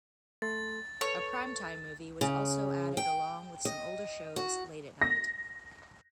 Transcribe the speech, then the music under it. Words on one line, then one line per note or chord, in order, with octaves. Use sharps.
A prime-time movie was also added along with some older shows late at night.
A3 A4 C6 A6
A4 B4 C#5
C#3
G5
D#5
F#4
A#6